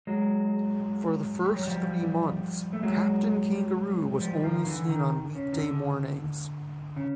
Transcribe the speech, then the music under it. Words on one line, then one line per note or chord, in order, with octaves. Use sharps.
For the first three months, "Captain Kangaroo" was only seen on weekday mornings.
F#3 G#3
G3
F#3
F3 G3
A3
F#3 G#3
F3 G3
D#3 F3
D3 E3
D#3
C#3
D#3
D3
C#3